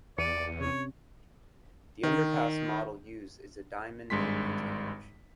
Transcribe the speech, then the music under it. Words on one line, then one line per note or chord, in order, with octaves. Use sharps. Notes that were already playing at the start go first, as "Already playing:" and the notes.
The underpass model used is a diamond interchange.
E2 D5 C#7 D#7
C3 C#4 C#5
D#3
G#1 G2 G#3 C6 B6